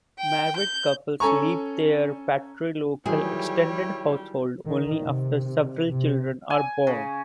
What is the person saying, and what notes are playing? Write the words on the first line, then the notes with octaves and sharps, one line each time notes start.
Married couples leave their patrilocal extended household only after several children are born.
G5
G6
C#4 A4 G#5 A#5 C#6
D#3 E3 F#3 G3 E4 G#4 C#5 G5
D#3
C3
C3
G#5
C#3